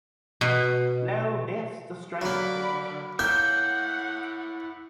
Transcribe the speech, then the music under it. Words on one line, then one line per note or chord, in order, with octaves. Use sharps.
No, that’s the strange thing.
B2
D3 F#3 A#3 B5 D6
A#3 E4 C#5 E5 F#5 G5 G6